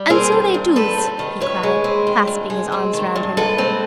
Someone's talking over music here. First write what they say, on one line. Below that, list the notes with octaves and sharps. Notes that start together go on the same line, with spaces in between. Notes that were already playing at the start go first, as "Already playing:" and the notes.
"And so they doos!" he cried, clasping his arms round her neck.
Already playing: G3
C4 G#4 A#4
D#3
G2
G3 A4 B4
C4
D#3
G2 B4 C#5
G#3
C4
D#3
G2
G#3
C4
D#3
G2
G#3 A4 B4
C4